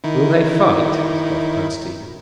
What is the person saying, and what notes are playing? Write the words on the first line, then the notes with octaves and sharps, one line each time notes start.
"Will they fight?" scoffed Bud Stevens.
D#3 D#4 E4